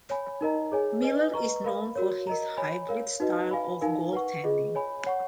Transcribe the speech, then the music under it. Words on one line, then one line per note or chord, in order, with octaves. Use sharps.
Miller is known for his hybrid style of goaltending.
C#5 G#5 B5
D#4 A#4 D#5 A#5
G#4 C#5 G#5
B4 D#5 G#5
B4 D#5 A#5 C#6
A#4 F5 B5
F#4 A#4 C#5
A#4 D#5 A#5
C#5 G#5 B5
A#4 C#5 F5
D#4 F#4 B4 D#5
B4 F5 G#5 B5
D#4 A#4 F5 G#5
B4 F#5 C#6
F4 G#4 D#5
C#5 G#5 B5
C#5 F#5 C#6